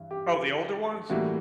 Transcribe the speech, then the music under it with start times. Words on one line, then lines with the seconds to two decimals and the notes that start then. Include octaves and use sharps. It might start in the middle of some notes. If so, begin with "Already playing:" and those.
Oh, the older ones?
Already playing: G2 E3
0.11 G4
1.10 A2 E3 G3 A#3 F#4